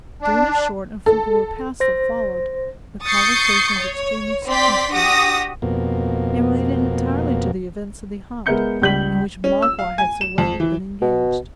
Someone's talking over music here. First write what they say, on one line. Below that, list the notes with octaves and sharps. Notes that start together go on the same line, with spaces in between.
During the short and frugal repast that followed, the conversation was extremely circumspect, and related entirely to the events of the hunt, in which Magua had so lately been engaged.
D4
A4
C5 A#6
C#6 D#6 G6 A6 C7 C#7
C#5
C4 D5 G5 C6 B6
D4 F#4 G4 D#6 A#6
F2 B2 A#3
G#3 B3 A#4 E5 G6 C#7
C#2 G3 G6 B6 F#7
C#4
E6
F5
G#5
E7
F2
E3
B2